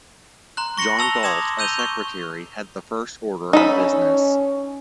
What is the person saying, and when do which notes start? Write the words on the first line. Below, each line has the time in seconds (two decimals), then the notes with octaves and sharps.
John Galt, as secretary, had the first order of business.
0.57 A#5 C6 F#6
0.78 C#6 A#6 C#7 F#7
0.99 A5 E6 F7 G7
1.23 C6 D6 D#6 G#6 E7 F7
1.59 E6 G6 D#7 F7 G7
1.79 C#6
3.53 C#4 D#4 A4 B5